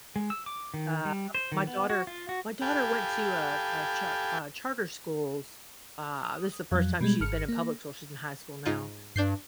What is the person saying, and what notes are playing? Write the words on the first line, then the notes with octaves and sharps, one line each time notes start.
Um, my daughter my daughter went to a a char uh, charter schools. Uh, this is the first time she had been in public school- she's in high school now.
G#3
E6
D6
D#3
G3
C5
D#3
B3
F#4
F4
F#4
G4 A4 F5 G5 G#5 B5
D#6
F2 F#3
B2 G3 G#3
G#1 F6 C#7
A#3
G#2 D#4 F4
G2 D4 G6 C7